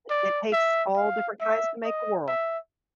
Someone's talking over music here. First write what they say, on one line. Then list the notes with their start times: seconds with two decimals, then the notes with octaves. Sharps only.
it it takes all different kinds to make a world.
0.10 D5
0.53 E5
0.97 F5
1.41 E5
1.85 D#5
2.28 E5